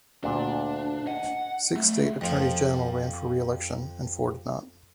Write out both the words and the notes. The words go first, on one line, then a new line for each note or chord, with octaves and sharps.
Six state attorneys general ran for reelection and four did not.
D2 A#2 D4
D#5 F#5 G#5
A3 C4
F2 F3